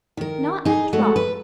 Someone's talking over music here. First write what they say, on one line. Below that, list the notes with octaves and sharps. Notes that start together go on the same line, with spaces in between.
'Not a drop.
D#3 A#4
D#4 G#4
G#3 A3 F#4 A4
B4